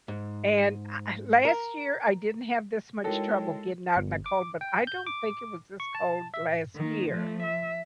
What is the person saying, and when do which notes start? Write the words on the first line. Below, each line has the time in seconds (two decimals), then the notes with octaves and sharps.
And eh last year, I didn't have this much trouble getting out in the cold, but I don't think it was this cold last year.
0.08 G#2
1.45 A#4
3.04 G#3 D#4 E4 F#4 A4 A#4 C#5 G5
3.96 G1
4.26 D6
4.61 G5
4.87 G6
5.06 D6
5.80 C#6
5.95 A5
6.34 E5
6.76 D#3 A#3
7.11 F3 A3
7.43 E5